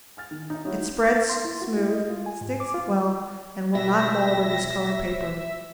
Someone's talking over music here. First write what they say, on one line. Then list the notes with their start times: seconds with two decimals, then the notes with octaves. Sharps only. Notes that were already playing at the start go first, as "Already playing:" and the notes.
It spreads smooth, sticks well and will not mold or discolor paper.
0.17 G#5 F6 A6
0.31 D#3
0.50 D#4 D#5
0.64 G3 C#4 D#4 E4 F#4
1.07 A6
1.29 C6
1.45 E4
1.61 F#4
1.76 E4
1.89 D#5
2.09 F4
2.26 G#5
2.41 G#2
2.60 D6
2.74 F4
2.90 G3
3.75 B2 E5 A#6